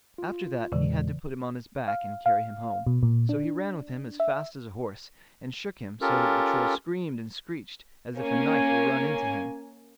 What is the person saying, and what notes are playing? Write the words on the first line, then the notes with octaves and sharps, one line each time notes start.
After that he had to put him on his back and carry him home; so he ran with him as fast as a horse, and shook him so that the Troll screamed and screeched as if a knife were run into him.
F4
E2 A#2 C#3 E3 G#3
F5
F5
B2
A#2
D4
E5
C#4 F4 G4 A4 A#4
A#3 C#4 G#5